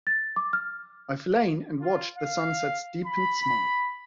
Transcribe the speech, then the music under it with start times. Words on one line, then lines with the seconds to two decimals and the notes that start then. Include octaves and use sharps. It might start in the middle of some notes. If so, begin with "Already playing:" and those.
I've lain and watched the sunset's deepened smile.
0.07 A6
0.36 D6
0.53 F6
1.80 F4
2.16 F5
3.06 B5